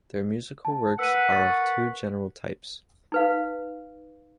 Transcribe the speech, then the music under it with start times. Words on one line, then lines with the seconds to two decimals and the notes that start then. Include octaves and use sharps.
Their musical works are of two general types.
0.65 A5
0.99 A#4 B4 F#5 E6 D#7
1.32 C#6 A6
3.12 D#4 B4 F5